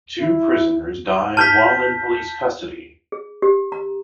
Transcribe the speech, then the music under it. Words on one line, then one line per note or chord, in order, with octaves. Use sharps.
Two prisoners died while in police custody.
E4
A5 F6 G6 B6
G#4
G4
A#5